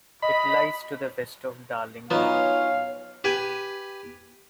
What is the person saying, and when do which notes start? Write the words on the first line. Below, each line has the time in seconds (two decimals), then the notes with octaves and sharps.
It lies to the west of Darlington.
0.22 D#5 B5
2.10 F#3 B3 C#4 D#4 F4 C#5 F5
3.24 G4 B4 G#5